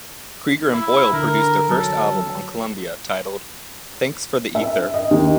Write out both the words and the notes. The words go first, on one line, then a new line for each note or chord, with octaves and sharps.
Creager and Boyle produced their first album on Columbia titled "Thanks for the Ether".
E4
D3 A#4
F#3 A4
E5
D#5
D#2